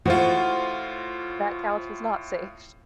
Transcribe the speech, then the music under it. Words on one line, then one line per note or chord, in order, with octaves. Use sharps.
That couch was not safe.
A2 F4 F#4 C5